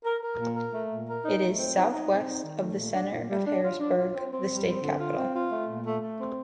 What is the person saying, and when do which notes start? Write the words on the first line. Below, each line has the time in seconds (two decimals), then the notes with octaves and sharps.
It is southwest of the center of Harrisburg, the state capital.
0.04 A#4
0.21 A#4
0.38 A#2
0.55 A#4
0.73 A3
0.90 A#2
1.07 A#4
1.24 D#4
1.41 A3
1.57 C4
1.75 D#4
1.92 D#4
2.09 C4
2.26 D#4
2.43 D#3
2.60 A3
2.77 A#2
2.94 D4
3.11 A#2
3.28 G3
3.46 D4
3.63 F4
3.79 D4
3.97 F4
4.14 C4
4.31 C4
4.47 G3
4.65 C4
4.81 D3
4.99 F4
5.16 C4
5.33 F4
5.50 A3
5.67 A#2
5.85 A3
6.01 A3
6.19 C4